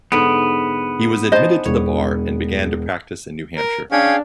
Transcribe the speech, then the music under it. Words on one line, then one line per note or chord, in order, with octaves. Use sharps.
He was admitted to the bar, and began to practice in New Hampshire.
G#2 D3 B3 D7
D#4 C5 D#5 G#5 A5
E1 C#5
A#4
C#4 D4 G#4 F5 G5